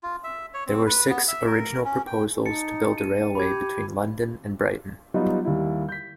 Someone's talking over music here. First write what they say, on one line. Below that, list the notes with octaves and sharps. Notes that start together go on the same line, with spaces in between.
There were six original proposals to build a railway between London and Brighton.
F4
E5
C#5
C4
B4
B3
E5
A#4
C#4
G5
D#4 A5 A6 C#7
D#7
G4 B5 G#6
F#3 G3 B3 D#4 F4
D#2 G3 E4
G6 B6